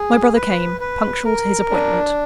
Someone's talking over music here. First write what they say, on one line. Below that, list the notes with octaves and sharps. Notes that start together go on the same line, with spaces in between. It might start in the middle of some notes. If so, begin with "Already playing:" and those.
My brother came, punctual to his appointment.
Already playing: G#4
B4
B4
A#4
D4